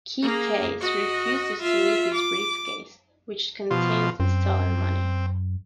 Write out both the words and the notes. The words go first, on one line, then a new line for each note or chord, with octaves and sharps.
Keycase refuses to leave his briefcase, which contains the stolen money.
A#3 G#4
F#4 D#5
F4 E5
D6
B2 F3 F4
F#2 C4